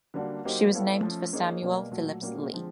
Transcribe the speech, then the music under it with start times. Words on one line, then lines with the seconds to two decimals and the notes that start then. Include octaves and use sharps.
She was named for Samuel Phillips Lee.
0.14 D3 G3 A#3 D4 F#4
0.44 F#3 A#3 D#4 G4 C5
0.73 B3 E4 A4 C#5 F5
1.03 F3 A3 C#4
1.33 A#3 D#4 G#4 C#5
1.62 B2 G3 A#3
1.91 A#2 F#3 A3
2.21 A#2 G3 A#3 C#4 F#4
2.51 D3 F3 G#3 C4